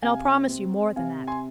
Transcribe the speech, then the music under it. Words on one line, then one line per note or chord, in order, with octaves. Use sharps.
And I'll promise you more than that.
C3 F5 G#5
C4
C3 F5 G#5
G#5 C6